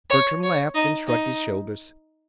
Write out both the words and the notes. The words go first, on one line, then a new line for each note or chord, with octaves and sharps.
Bertram laughed and shrugged his shoulders.
C#5
C#5
D#4
D#4